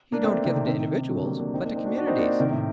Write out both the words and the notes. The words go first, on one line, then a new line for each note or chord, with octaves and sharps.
"He don't give 'em to individuals, but to communities."
A#3 D4
A3 C4
C3 D#3
C3 D#3
C3 D#3
D3 F#3
G3 A#3
A#3 D4
C4 D#4
A#3 D4
C4 D#4
D4 F#4
D4 F#4
C4 D#4
A#3 D4
C3 D#3
A2 C3